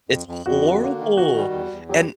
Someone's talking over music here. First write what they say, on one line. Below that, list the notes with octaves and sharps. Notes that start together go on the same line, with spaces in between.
It's horrible. And
F2
F2
F2 F#4
D3
A#3
D#3
D#3 F#4
G3
E2
E2
F#3 G4